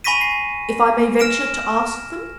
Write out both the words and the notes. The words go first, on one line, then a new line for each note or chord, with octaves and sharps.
'If I may venture to ask them.'
G#5 B5 C#6 A#6 B6 D#7
C7
F6 A#6 D7 E7